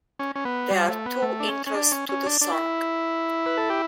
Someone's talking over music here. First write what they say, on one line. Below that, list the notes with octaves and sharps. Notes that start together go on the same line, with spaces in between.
There are two intros to the song.
C#4
C#4
B3
G3
A3
B3
A3
D4
C#4
C#4
D4
C#4
C#4
D4
D4
E4
B4
A4
G4